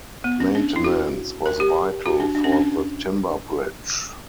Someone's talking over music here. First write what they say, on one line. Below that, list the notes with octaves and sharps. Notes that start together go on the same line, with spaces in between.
Maintenance was vital for the timber bridge.
B3
C#4
D4
E4
F#4
A#4
G4
F#4
D4
D4
C#4
D4